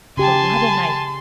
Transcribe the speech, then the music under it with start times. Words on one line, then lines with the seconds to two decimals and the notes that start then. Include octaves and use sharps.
But what a night!
0.17 C#3 G4 G#5 A5 C6